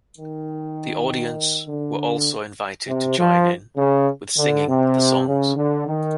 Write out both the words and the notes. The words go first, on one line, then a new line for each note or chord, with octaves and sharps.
The audience were also invited to join in with singing the songs.
D#3
D3
C3
F3
C#3
D3
C3
C#3
D3
D#3